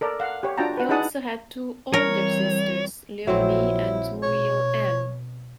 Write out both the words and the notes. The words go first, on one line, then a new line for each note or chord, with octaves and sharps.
He also had two older sisters, Leonie and Muriel Ann.
A4 A#4 D5
F5 F#5
G4 C#5
D4 F4 F#4 G5 A5 A#5
B4 F#5
D#4 E4 G#4 F#5 A5 D#6
E3 G3 C4 A#4 C#5
A#1 F3 F#3 C4 E4
B2 C#5